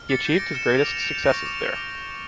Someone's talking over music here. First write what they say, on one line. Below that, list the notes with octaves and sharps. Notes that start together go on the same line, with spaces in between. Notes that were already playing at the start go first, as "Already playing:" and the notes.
He achieved his greatest successes there.
Already playing: F6
D6 A6 C#7
G6
A#6 D7
D6
F6 C#7 E7
F6
D7 F7
D6
G6 D7 F7
G6
A#6 D7
C#6
D6
F6
D6